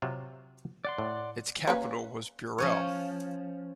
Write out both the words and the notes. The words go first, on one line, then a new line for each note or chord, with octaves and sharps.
Its capital was Burrel.
C3 F#3 F4
D5 F#5 C6
A2
A#3 C#4 B4
F3 C#4 C#5